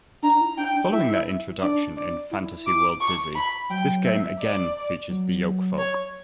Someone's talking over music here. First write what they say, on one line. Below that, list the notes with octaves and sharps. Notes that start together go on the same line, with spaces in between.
Following their introduction in Fantasy World Dizzy, this game again features the Yolkfolk.
D4 A#5
E4
D4 G5
D4
E4 E5
D4 D5
D5
E4
D6
C#6
B5
F#3 G5
E5
D5
F#3
C#5